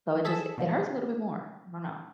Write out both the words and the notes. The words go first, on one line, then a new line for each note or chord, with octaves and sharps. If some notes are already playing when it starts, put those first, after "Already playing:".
So it just it hurts a little bit more. I don't know.
G#4 A4 B6 E7
B2 D3 F3